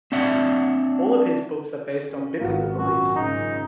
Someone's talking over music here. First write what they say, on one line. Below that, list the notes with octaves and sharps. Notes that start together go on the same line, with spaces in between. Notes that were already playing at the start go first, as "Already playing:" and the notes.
All of his books are based on biblical beliefs.
C4 D4 E5 F#5
C#4
G#1 A#3 B3 F4 F#4
F#2 A#2 F#4
G#2 C#3 D#4